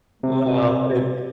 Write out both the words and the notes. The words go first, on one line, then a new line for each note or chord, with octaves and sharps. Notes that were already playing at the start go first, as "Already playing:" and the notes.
Well, it
C3